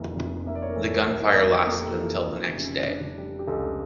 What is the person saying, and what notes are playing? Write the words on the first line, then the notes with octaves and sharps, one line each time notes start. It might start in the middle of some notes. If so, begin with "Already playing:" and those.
The gunfire lasted until the next day.
Already playing: F1 F2 E3 A#3
F2
A#3 E5
D5
C#5
A#4
E3 A4
F1 A#4
F2 A#4
A#3 A4
G4
A4
E3
F1
C#3
D4
G3
G4
C#2 A4